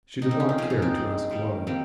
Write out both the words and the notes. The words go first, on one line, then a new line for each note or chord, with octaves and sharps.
She did not care to ask why.
D#3 G#3 D#4
C4
C#4
C4
C#3 F3 A#3 C#4
D#4
C4
C#3 G#3
D#3 G3 A#3
D#3 G3 A#3 C4